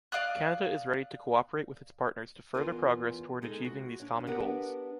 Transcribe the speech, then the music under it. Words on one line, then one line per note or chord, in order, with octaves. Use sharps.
Canada is ready to cooperate with its partners to further progress toward achieving these common goals.
D5 F5 D#6 F#6
E2 D#3 B3 F4 A#4 G#5
G#3 D#4 G#4 A4
F#4
D4 C#5
B3 D4 G4 A#4 B4 F#5